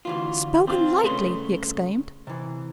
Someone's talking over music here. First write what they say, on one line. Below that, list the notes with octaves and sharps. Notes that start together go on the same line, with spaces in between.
"Spoken lightly!" he exclaimed.
D2 E3 F4
C4 D4 F4
C2 C#3 A3 B4 C5 C6
C3 E3